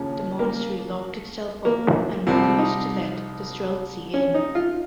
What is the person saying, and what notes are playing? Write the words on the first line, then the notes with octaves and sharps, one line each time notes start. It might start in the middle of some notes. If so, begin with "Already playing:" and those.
The monastery locked itself up and refused to let the Streltsy in.
Already playing: D#2 C#3 F3 C#4
A#3
A#3
C2 C3 F3 C4
D#4
C#4
D#4
F4